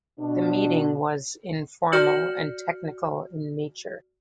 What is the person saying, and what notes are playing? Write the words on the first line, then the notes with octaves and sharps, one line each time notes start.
The meeting was informal and technical in nature.
B2 D4
F#4 D5 F6 G6 C#7 F#7